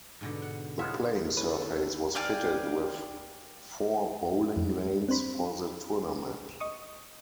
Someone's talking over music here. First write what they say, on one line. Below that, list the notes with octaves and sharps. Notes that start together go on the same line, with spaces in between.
The playing surface was fitted with four bowling lanes for the tournament.
G#2 B2 D3
F#5
G#3 B3 F4 C#5 E5
D3 B3 G#4 A4 B4 C#5
D5 F5 G5 G#5
F2
C4 D4 C5 B5
D#5 C#6 D#6